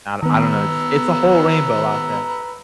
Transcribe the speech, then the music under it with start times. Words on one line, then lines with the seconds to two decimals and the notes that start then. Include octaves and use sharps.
I do I don't know. It's just it's a whole rainbow out there,
0.23 D#3 B3 B4 A#5 E6